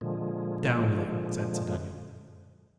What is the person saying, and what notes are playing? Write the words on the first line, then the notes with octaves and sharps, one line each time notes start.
"Down with it," said Sir Daniel.
A#2 D3 F3 G#3